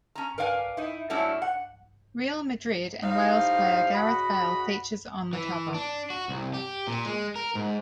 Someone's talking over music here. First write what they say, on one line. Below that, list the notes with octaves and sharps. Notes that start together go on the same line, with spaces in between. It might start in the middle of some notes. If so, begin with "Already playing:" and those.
Real Madrid and Wales player Gareth Bale features on the cover.
C#4 A#5
A#4 B4 D5 F5 G5 G#5
D#4 E4
F#3 G3 A3 C#4 D4 E4
F#5
A2 G3 D#4 C5 F5
C#3 F#4 D#5 F#5 B5
E3
D4
F#4
C2
G4
A#2
G#3
A#4
G#2